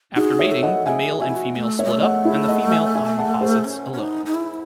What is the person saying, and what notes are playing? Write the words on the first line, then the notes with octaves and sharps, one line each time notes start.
After mating the male and female split up and the female oviposits alone.
D#4 F#4 G#4
C#5 E5
A4
D#5 F#5
G#4 E5 G#5
F#4 E5 G#5
E4
F#4
A3
C#5 E5
G#3
A3
D#5 F#5
E4 G#4
D#5 F#5
E5 G#5
E5 G#5
F#5 A5
G#4 C5
C#4
C#4
D#4
D#4
E4